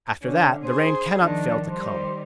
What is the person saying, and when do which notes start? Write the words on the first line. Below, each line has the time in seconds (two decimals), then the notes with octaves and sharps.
After that the rain cannot fail to come.
0.23 D3 C#4
0.65 G#4 C5
1.22 D#3 F3 D4
1.69 D#3 G3 C5